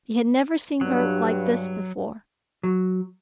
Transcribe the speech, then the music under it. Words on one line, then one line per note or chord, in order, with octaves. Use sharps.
He had never seen her like this before.
G2 F#3
F#3